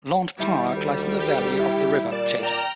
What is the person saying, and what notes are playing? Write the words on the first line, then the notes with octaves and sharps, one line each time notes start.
Launde Park lies in the valley of the River Chater.
D#3 G3 E4
D2
G4
E4
A#2 D5 E7
G5 A#5 F6